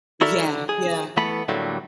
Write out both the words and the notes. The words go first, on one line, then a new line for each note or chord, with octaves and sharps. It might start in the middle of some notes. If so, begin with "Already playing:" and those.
Yeah, yeah.
E4 F#4 A4 A#4 D5 E5
D3
G#4
E3 A3 B3 A4 B5
A2 D3 F#3 G3 A3 A#3